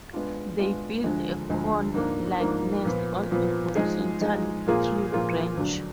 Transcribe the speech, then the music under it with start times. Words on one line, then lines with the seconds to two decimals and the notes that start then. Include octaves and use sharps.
They build a cone-like nest on a horizontal tree branch.
0.13 G#3 B3 D4 F4
0.59 G#3 B3 D4 F4
1.04 D2 D3 F3 G#3
1.49 D2 D3 F3 G#3
1.94 G#2 F3 A#3 D4
2.39 G#2 F3 A#3 D4
2.85 A#2 F3 B3
3.31 A#2 F3 B3
3.75 F3 G#3 D#4 G#4
4.20 F3 G#3 D#4 G#4
4.67 A#2 F3 A#3 F4 G#4
5.12 A#2 F3 A#3 F4 G#4
5.57 D2 D3 F#3 D4